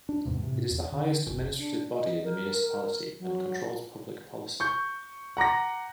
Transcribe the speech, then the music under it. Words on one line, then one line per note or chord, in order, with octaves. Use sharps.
It is the highest administrative body in the municipality and controls public policy.
D4
E2 G#2 C3
A2 C3
E2
D3
F#1 C2
D4
D#5
A#4
A#4
F#3
C#6 G6
F#5 A#5 D6 A#6